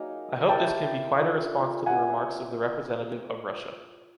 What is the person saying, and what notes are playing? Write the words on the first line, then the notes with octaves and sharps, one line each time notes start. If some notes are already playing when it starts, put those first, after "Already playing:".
I hope this can be quite a response to the remarks of the representative of Russia.
Already playing: F#3 A#3 D#4 G#4
E4 G4 A#4 C#5 G5 A5
D4 F4 A4
A#3 C#4 E4 F#5 G#5